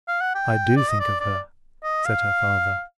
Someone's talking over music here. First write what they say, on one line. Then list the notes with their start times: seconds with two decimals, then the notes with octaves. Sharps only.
"I do think of her," said her father.
0.08 F5
0.21 F#5
0.35 G5
0.77 D5
0.89 D#5
1.00 D5
1.20 D5
1.84 D#5
2.06 F5